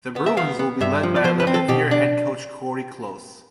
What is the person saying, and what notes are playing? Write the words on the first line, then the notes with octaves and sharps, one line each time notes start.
The Bruins will be led by eleventh year head coach Cori Close.
B3
E5
B3 F5
B3
G2 E5
F3
D5
F3 C5
B4
C4
A4
B2 G4
D4